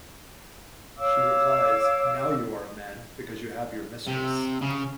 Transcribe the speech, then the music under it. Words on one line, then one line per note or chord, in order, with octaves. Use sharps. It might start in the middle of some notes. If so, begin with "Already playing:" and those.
She replies, Now you are a man because you have your mistress...
C#5 F5 D6 E6
C3
C#3